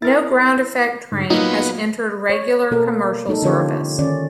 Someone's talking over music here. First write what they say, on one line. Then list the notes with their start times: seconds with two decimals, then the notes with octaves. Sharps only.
No ground effect train has entered regular commercial service.
0.02 E4 A#4 A6
1.12 G#2 D3
1.30 A#2 F#3 A#3 B3 D#4
2.30 C#5
2.71 B2 A#3 A4 A#4
3.27 G#3 A#3 D#4 A4
3.42 D3 F3 C#4 F4 G4 C#5
3.99 D#3 C#4 D5